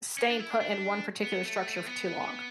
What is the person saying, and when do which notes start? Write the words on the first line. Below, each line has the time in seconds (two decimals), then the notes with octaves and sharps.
staying put in one particular structure for too long?
0.18 C#4
0.30 D4
0.39 E4
0.50 D4
0.61 D4
1.24 B3
1.44 A3
1.86 B3